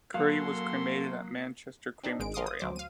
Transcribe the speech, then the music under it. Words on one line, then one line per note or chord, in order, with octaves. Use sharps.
Curry was cremated at Manchester Crematorium.
F#2 F#3 A#3 A4 F5 C6
C4 D4 D#4
G#1 G#3 D7
D#5 F5 C6 D6 D#6
D#6
D2 F#3 C5 D6
F5 D#7